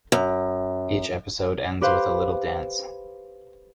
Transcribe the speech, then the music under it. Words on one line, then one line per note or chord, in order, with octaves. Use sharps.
Each episode ends with a little dance.
F#2
G4 B4 C5 F5